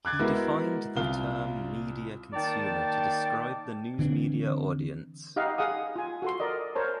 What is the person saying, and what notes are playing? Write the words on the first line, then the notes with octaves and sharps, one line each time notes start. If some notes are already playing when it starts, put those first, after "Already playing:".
He defined the term media consumer to describe the news media audience.
D6 F#6 G#6 A6
G#3 B3 E4 F#4 A#4
C2 F4 F5 G7
D#3 A#3 D5 G5 A5
D3 E3 C4 D4
D#4 G4 D#5 F5 F#5
G#4 F5 F#5 D#6
F4 G#5
F#4 A4 C6
A#4 D5 D#5
A#4 C5 C#5 A5